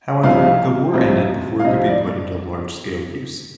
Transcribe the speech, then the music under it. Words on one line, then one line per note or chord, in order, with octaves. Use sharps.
However, the war ended before it could be put into large scale use.
C2 C3 F3 C4 D#4 F5
C2 C3 F3 C4 D#4
F5
C2 C3 F3 C4 D#4 D#5
D5